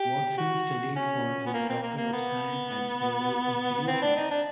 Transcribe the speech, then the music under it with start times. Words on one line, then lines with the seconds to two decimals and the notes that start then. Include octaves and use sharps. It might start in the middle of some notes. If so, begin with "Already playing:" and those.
Watson studied for his Doctor of Science at several institutions.
Already playing: G4
0.37 F#4
0.96 C#4
1.46 B3
1.54 A#3
1.69 C4
1.82 A#3
1.97 A#3
2.12 B3
3.87 C4
4.02 D4
4.16 D#4
4.31 D4